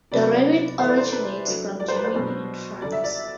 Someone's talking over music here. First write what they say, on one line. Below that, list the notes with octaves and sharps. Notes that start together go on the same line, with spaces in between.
The rabbit originates from Germany and France.
C3 F#3 B3 D4 D5
D5
D5
E3 A3 E4 C5
D5
C5
B4
F#3 A3 D4
D5
C5
B4
C5
B2 F#3 B3 D4
D3 G3 D4 D5
E5
D5